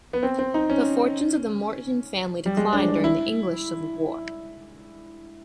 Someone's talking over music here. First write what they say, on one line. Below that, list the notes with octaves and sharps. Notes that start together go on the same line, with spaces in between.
The fortunes of the Moreton family declined during the English Civil War.
B3
C4
C4
D#4
C#4
G3
G#3
D4
D4
E4